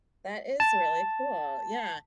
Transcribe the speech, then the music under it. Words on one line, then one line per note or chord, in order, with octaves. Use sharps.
That is really cool, yeah.
A5